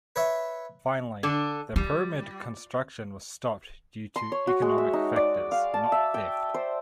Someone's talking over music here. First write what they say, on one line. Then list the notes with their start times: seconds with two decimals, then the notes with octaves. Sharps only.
Finally, the pyramid construction was stopped due to economic factors, not theft.
0.16 B4 C#5 E5
1.23 D3 D4
1.76 G3 F4
4.16 C6
4.32 C#5
4.47 F#4
4.62 G#3
4.78 E5
4.93 D#4
5.16 D5
5.52 F5
5.74 A5
5.92 E5
6.14 G5
6.54 C5